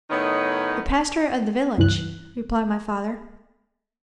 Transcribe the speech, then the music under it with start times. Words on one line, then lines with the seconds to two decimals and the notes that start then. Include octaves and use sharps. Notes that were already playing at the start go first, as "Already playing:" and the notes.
"The Pastor of the village," replied my father.
0.10 A2 D#3 B3 D#4 C#5
1.78 C#2 G2 E3 F#6